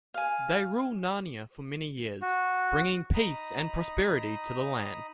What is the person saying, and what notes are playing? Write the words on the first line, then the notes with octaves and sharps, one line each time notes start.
They rule Narnia for many years, bringing peace and prosperity to the land.
F5 G#5
F#4
D#4 A#5 B5 D#6